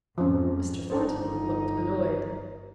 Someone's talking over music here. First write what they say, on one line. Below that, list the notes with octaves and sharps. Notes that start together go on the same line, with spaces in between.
Mr. Thornton looked annoyed.
F2 G#2 F3 C#4
G1 D4 D#4 A4 C5